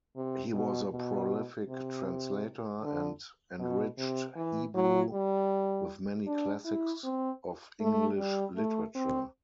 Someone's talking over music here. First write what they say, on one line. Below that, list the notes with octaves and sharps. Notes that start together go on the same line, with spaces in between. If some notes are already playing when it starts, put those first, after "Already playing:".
He was a prolific translator and enriched Hebrew with many classics of English literature.
C3
B2
B2
C3
D3
B2
C3
E3
F#3
G3
D4
E4
C4
A3
G3
A3
C4